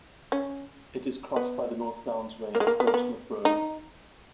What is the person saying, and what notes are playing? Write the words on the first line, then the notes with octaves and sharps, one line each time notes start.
It is crossed by the North Downs Way and Portsmouth Road.
C#4
B3
A#3
G#3
A#3
B3
A#3
B3
D#4